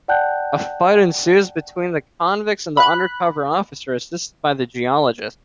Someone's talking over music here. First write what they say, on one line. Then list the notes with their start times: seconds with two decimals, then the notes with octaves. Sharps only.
A fight ensues between the convicts and the undercover officer, assisted by the geologist.
0.08 D5 F#5 G5 A5 F#6 G6
2.77 B5 F#6